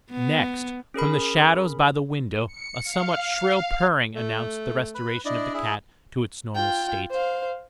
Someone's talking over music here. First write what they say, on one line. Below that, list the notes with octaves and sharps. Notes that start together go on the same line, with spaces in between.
Next, from the shadows by the window, a somewhat shrill purring announced the restoration of the cat to its normal state.
B3
C#4 G#4 A#4 B5
C#7
F5
A3
B4 B5
D4 E4 D5 D#5
E4 G#4 E5
F4 G5
C5 F5